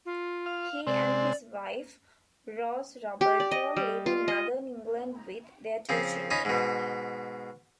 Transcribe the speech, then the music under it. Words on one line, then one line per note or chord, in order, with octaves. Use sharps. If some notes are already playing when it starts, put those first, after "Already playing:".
He and his wife, Rose Roberto, live in northern England with their two children.
F4
F5
C3 G#3 C4 D5
G4
D5
D#5
G3
F4
D#5
C#3 F3 C4
C#4 D#4 F4 B5
G#2 B2